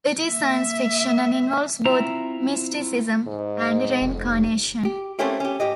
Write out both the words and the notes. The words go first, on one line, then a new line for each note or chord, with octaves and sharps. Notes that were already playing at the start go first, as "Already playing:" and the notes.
It is science fiction, and involves both mysticism and reincarnation.
A#3 E5
C4 E4 F4 E5 A#5
G#2
F1
G4
A3 A#3 C4 C#4 E4 G4
C#4 G4
G#2 G4 D#5